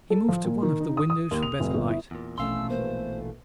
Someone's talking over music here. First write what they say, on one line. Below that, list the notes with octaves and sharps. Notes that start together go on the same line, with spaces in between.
He moved to one of the windows for better light.
A4
F3
A#2
D#3
D#4
D#6
D#6
D#2
F7
F1
G1
E4
E2 A#2
A#1 B2 E3 A3 C#4 F5 C6 E6
A#3 B4 C5